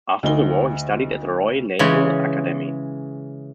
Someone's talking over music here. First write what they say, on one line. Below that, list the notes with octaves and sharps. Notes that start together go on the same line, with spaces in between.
After the war, he studied at the Royal Naval Academy.
D2 D#4 G7
C#3 E3 G#3 C#5